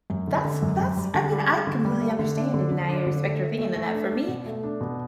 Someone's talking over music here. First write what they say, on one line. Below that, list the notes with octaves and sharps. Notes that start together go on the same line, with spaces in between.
That's that's I mean, I completely understand, and I respect your opinion on that For me,
F#2
D3
D3
F#2
F#2
G3
D3
G3
G3
D3
G3
A3
D3
D4
D3
D3
D4
D3
A3
A3
A3
A3
D4
D4
B2
A3
D4
B2